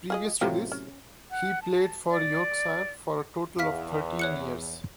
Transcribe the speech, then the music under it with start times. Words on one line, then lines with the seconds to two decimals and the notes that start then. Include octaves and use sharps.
Previous to this he played for Yorkshire for a total of thirteen years.
0.10 F4 G#4 D#5
0.41 A2 C3 F#3 F4 G4 C5
0.72 C#4
1.31 F#5
1.62 A5
2.10 D5
3.59 E2 F5 F6 B6
4.19 C#5 F#6 C#7